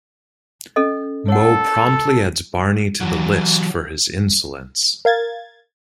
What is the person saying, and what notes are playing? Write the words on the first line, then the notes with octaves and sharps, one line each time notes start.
Moe promptly adds Barney to the list for his insolence.
C#4 A4 D#5
A4 C#5 F#5
E3 F#3
A#4 F5 G#6 A6